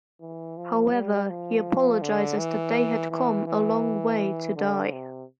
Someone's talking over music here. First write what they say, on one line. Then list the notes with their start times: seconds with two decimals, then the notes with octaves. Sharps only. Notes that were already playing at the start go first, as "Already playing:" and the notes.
However, he apologizes that they had to come a long way to die.
0.21 E3
0.57 F3
0.93 G3
1.30 F3
2.02 D3
2.38 E3
3.11 E3
3.47 E3
4.56 D3
4.92 C3